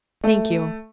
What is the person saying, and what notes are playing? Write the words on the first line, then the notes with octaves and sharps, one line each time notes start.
'Thank you.
A3